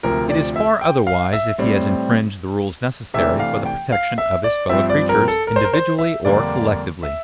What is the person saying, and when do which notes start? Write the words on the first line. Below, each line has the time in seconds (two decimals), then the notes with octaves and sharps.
It is far otherwise if he has infringed the rules necessary for the protection of his fellow-creatures, individually or collectively.
0.03 D2 C3 F3 A#4
0.29 D5
0.56 E5
0.81 G5
1.07 F5
1.33 E5
1.58 A2 G3 C4
3.14 C3 E3 A3 D4 E5
3.40 F5
3.66 G5
3.92 F5
4.18 E5
4.44 D5
4.70 G2 F3 C4 E5
4.90 D5
5.09 A#4
5.28 A4
5.47 A#4
5.56 C5
5.64 A#4
5.73 C5
5.99 E5
6.25 F2 D3 G3 A#3 D4 D5
7.03 E5